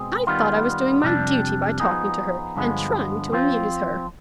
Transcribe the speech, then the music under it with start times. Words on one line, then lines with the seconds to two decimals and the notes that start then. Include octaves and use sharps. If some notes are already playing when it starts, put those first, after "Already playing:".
'I thought I was doing my duty by talking to her, and trying to amuse her.'
Already playing: B2 G#3 C4 G#4
0.27 D#3 G3 B3 F4
1.03 F2 C3 G3 D4
1.80 F3 B3 D#4 G#4
2.56 G2 D3 F3 G#3 B3
3.32 F3 C4 F4